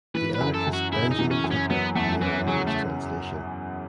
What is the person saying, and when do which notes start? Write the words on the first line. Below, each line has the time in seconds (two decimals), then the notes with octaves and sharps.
The anarchist Benjamin Tucker made an English translation.
0.15 E3 B4
0.34 B4
0.41 F#2
0.54 A4
0.67 F#2
0.74 F#4
0.93 C#3 E4
1.11 D#4
1.19 E3
1.31 C#4
1.44 F#2
1.51 C#4
1.69 F#3 B3
1.95 E2 A3
2.21 E3 C#4
2.47 C#3 F#3
2.67 A3